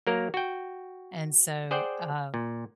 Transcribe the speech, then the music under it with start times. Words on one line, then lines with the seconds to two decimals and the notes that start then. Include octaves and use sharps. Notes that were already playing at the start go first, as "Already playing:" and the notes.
And so, uh,
0.07 F#3 A#3 A#4
0.34 F#4 G5
1.71 G#4 C5 D5 F#5 G5
2.34 A#2